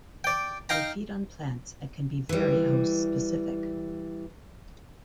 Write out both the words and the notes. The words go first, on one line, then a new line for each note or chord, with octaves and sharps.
They feed on plants and can be very host specific.
D5 G5
D#4 F5 G5 A#5
E3 G3